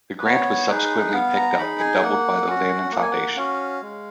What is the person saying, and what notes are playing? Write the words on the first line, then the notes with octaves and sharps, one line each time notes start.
The grant was subsequently picked up and doubled by the Lannan Foundation.
B4
B3 C#5
D#4 G#4 B4
B3 F5
A#5
D#4 G#4 B5
G#5
A#3 F#5
C#4 F#4
A#3 F#5
G#5
F#5
C#4 F#4 F5
G#3